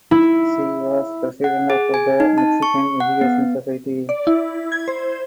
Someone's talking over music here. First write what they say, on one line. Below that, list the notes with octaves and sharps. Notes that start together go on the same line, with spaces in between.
She was president of the Mexican Education Society.
E4
F#5
G#4
G#5
D#4
A5
C#6
F#5
B3
D5
E4
G#6
C5